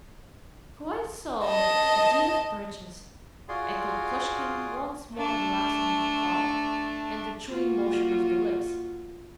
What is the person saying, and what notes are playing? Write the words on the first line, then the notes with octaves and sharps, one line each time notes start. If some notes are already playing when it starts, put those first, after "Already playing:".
"Quite so--a deed of purchase," echoed Plushkin, once more relapsing into thought and the chewing motion of the lips.
D#5 A5
F4 F#4 G#4 D5 C6
A3 D4
A#3 F4 F#4